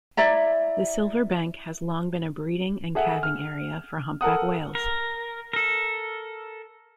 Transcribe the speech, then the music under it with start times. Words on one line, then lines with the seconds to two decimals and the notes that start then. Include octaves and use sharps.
The Silver Bank has long been a breeding and calving area for humpback whales.
0.17 E4 D5 E5 A#5
2.95 G#4 A4 E5 F#5
3.23 F6
4.21 A4 A#4 F#5 D#6
4.75 A#4
5.53 A4 A#4